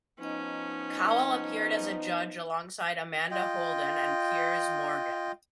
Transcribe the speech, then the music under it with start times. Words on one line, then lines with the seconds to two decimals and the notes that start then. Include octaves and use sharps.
Cowell appeared as a judge alongside Amanda Holden and Piers Morgan.
0.20 F3 B3 C#4 D#4
3.31 F4 D#5 G5